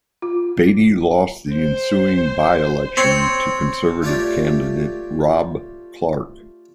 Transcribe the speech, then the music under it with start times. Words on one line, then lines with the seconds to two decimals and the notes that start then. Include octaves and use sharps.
Beatty lost the ensuing byelection to Conservative candidate Rob Clarke.
0.22 F4
1.50 C5
2.97 C4 C#5
4.02 A3 F4 G4 C#5 D5